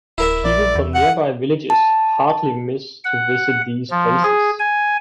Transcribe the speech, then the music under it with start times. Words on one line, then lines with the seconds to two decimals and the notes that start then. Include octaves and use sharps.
People from nearby villages hardly miss to visit these places.
0.18 D1 E4 A#4 E5
0.44 A#1 D5
0.75 E2
0.95 F#5
1.70 A5
3.04 F#5
3.91 F3
4.23 G#4
4.59 G#5